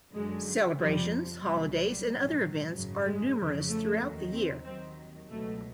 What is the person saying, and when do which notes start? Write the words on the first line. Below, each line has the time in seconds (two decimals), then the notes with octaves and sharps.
Celebrations, holidays and other events are numerous throughout the year.
0.14 G1 F#2 D3 F#3 G#3
0.78 F2 C3 F3 G3
1.42 C2 A#2 F#3 G3
1.75 G3
2.07 A#1 G#2 D#3 F#3
2.71 G#1 F#2 C#3 F#3
3.04 G#3
3.35 F2 C#3 F3
3.68 A3
4.01 D#2 D#3 F#3
4.32 C4
4.64 D#2 D#3 F#3 C4
5.29 C#2 B2 F#3 A3